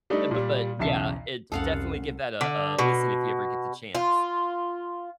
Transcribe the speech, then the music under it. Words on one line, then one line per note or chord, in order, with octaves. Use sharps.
uh, but, yeah it definitely give that a a listen if you ever get the chance.
G3 A3 D4 D#4
A#2 G3
B1 E2 C#3 E5 A5 C7
C2 F2 C3 C#4 G#4 A4 F5 F#5
D3
B2
F4